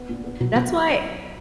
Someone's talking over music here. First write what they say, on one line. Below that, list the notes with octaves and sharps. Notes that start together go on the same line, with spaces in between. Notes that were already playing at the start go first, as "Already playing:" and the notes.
That's why
Already playing: B3
A#2
B3
B2 F#3
B2 F#4